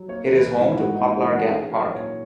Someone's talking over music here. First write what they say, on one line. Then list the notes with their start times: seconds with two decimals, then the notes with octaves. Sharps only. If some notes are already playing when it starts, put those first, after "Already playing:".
It is home to Poplar Gap Park.
Already playing: F#3
0.08 A#3 C#5
0.26 B4
0.32 E3
0.38 B4
0.44 A#4
0.55 G#2
0.61 E4
0.72 E4
0.78 G#2 F#4
0.95 D#4
1.01 A#3
1.13 E4
1.24 E3
1.31 F#4
1.47 C#4 G#4
1.71 F#3 A#4
1.94 A#2 C#5